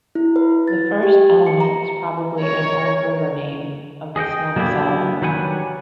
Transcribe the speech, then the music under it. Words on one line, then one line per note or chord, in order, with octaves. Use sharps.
The first element is probably an old river name of the Snilldalselva.
E4
B4
A6
G4
C#7
A#5
A#4 C#5
G#4 D#5 F#5 G5
F#3 A#3 B3 D4 E4 G4
D#3 F#3 G3 B4 F#5 G#5